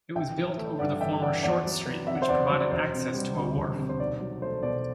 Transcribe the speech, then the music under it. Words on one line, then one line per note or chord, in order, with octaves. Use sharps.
It was built over the former Short Street which provided access to a wharf.
A1 E5 G5
E3
A3
G2 D5 F#5
A1 E5 G5
E3 D5 F#5
E2 D5 F#5
F#3
B3
C3 E5
F#5
C5 E5
E2 D5 F#5
F#3
D5
E1 C5
C3
G3
D2
E1
C3
C5
B1 D5
F#3
A3 C5
B2 D5